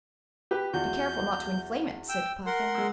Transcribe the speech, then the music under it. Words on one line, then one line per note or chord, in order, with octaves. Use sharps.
"Be careful not to inflame it," said Puffin.
G4 B4
E2 F4 F#4 G6
G5 E6
A#4 F#5 C6
G#3 E6